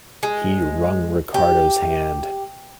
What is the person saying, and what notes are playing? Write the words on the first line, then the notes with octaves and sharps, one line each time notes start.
He wrung Ricardo's hand.
G#3
G4